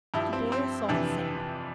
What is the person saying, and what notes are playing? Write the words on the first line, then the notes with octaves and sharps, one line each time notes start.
To Boil Salt Salmon.
G2 F3 E4
C4
C4
F2 C3 E3 D4